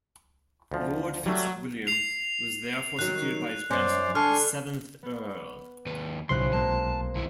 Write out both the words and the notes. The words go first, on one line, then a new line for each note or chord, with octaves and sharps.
Lord Fitzwilliam was therefore succeeded by his grandson, the seventh Earl.
D2 F3
F#3 G3 A3
C7 F7
D#3 F#3 F#6
F#2 C#4 C5 D5
D3 D4 G#5 C6 C#6 F6
B3
D#2 B4
B1 A2 C#3 C5 C6 F#6
G#3 A#3 C4 A5
D#2 E4